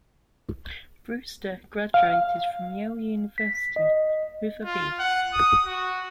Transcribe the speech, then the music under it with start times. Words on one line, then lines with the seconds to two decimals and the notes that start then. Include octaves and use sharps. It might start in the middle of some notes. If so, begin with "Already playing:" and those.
Brewster graduated from Yale University with a B.
1.94 F5
3.38 B6
3.76 D#5
4.65 F4
4.99 F#5
5.34 D#6
5.65 F#4